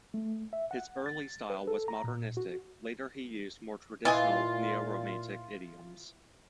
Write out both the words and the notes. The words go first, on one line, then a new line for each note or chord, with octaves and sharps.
His early style was modernistic, later he used more traditional neo-Romantic idioms.
A3
E5
F#5
A6
B4
A4
A#5
A#2
F#4
A#2 E3 F4 D#5 G#5